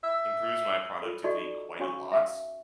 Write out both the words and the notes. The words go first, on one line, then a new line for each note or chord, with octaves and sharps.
improves my productivity quite a lot,
E5
F4 A4
D#4 F#4 A4 D5 D#5 C#6
C#4 F#4 C#5 F5 G#5 C#6
E5 F5